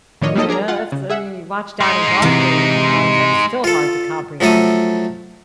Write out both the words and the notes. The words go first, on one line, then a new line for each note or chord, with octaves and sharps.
You know, it's I mean, you watch Donnie Darko a few times, that's still hard to comprehend.
A2 D#3 F3 D4 C#5 D#5
G3 G#3 A#3 D#4 A4 D#5
D4 G#4 A#4 A#5
F4 F#5
C#3
G#4 E5 F#5
G#3 D#4
C3 E3
F4 A4
F3 F#3 A3 A4 D#6